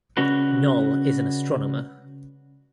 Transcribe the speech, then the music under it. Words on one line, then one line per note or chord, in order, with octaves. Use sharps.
Noll is an astronomer.
C#3 G#3 C#4 D4 F#4 B4